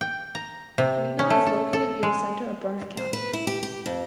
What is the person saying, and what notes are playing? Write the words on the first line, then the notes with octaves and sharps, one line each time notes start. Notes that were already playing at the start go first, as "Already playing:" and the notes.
Meenon is located near the center of Burnett County.
G5
A#5
C3
C#4
A3
A4
A4
G#3
C5
B4
E4
G4
G4
F2